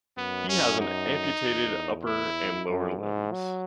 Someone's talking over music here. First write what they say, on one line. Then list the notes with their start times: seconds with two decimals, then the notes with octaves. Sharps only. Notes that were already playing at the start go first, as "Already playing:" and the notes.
He has an amputated upper and lower limbs.
0.17 F#2 B3
0.49 C#4
0.81 D#4
1.43 E2
2.07 E4
2.69 F#2
3.01 G#2
3.32 F#3